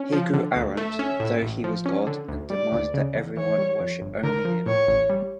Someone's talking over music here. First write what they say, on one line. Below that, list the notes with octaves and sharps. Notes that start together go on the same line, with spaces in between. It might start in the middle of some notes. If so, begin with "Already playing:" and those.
He grew arrogant, thought he was God, and demanded that everyone worship only him.
Already playing: C#4
F3
D3
D2
A3 E5
C#4
A2
A1
F3
C#4
D3
D2
G3 D5
D2
C#3
E2
E3 C#5
G3
F2
G1
D3 A#4
F3
A2 C#5
A1
G3